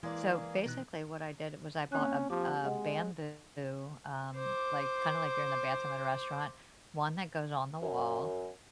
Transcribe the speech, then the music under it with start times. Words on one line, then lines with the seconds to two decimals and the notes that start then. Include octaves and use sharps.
So basically what I did was I bought a a bamboo, um, like, kinda like you're in the bathroom at a restaurant, one that goes on the wall,
0.03 E3 G#3 A#3 G#4 D5
0.66 B2 D#3 F#6
1.92 A#3 C4 C#4 F#6
2.30 F3 G4 D6
2.64 G#3 D#5 F#5
4.36 C5 D6
7.82 F#2